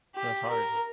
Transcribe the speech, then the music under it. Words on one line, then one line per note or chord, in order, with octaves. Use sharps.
but it's hard.
G4
A#4